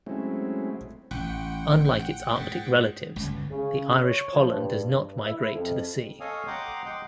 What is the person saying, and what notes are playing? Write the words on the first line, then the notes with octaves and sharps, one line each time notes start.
Unlike its Arctic relatives, the Irish pollan does not migrate to the sea.
F#3 G#3 A3 C4 C#4 E4
A1 F#5 G5
G#2
G1 C#2
C#3
C#5
F3
G2
E4
F2
A4 C#5 D#5 F5 G#5 D#6
F#5 G5 A#5 C6 D6 D#6
D#5 F#5 G5 C6 D6